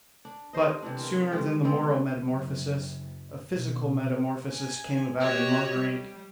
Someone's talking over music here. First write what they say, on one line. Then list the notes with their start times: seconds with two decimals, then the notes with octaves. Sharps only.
But, sooner than the moral metamorphosis, a physical metamorphosis came about in Marguerite.
0.25 D4
0.53 G4 A4 C5 D#5
0.82 C3 E3 D4
0.97 D#3 C4
1.31 G2 D3 G#3 G4
1.64 C3 G#3 B3 C4
2.17 F#1
3.53 B2
4.50 G#5
5.20 F#4 G4 C#5 D#5
5.79 G3